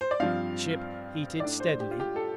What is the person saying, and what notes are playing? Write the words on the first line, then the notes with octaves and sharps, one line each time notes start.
The ship heated steadily.
C5
D5
G2 F3 C4 F5
A2 A3 D4 D5
C5
G4
F4
G4
A4